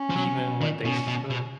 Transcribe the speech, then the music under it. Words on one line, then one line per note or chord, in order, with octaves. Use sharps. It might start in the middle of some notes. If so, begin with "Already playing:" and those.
even when they should.
Already playing: C#4
F3
F#3
D#3
B2 C#4
B2
B2